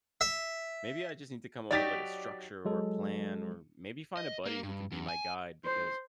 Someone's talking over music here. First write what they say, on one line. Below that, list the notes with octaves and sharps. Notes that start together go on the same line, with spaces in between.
maybe I just need to come up with, like, a structure, or a plan, or maybe find a buddy who can be my guide, because,
E5
F#3 D#4 G4 D5 A6 B6
F#3 G#3 A4
D#5
A#3
G2
E2
G#5
C5